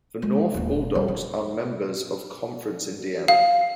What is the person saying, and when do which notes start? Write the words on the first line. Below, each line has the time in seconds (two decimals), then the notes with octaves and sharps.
The North Bull Dogs are members of Conference Indiana.
0.22 G#3
0.54 D#1 A#3
0.95 G3
1.08 C#3
3.28 F5